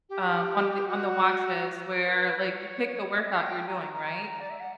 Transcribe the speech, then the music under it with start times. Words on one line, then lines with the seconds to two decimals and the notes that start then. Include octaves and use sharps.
um, on the on the watches where, like, you pick the workout you're doing, right?
0.09 G4
0.85 F#4
2.01 C#5
2.06 B4
2.39 C#5
3.16 E5
3.42 G5
3.67 A#5
3.93 A#5
4.39 D5
4.50 E5
4.60 F#5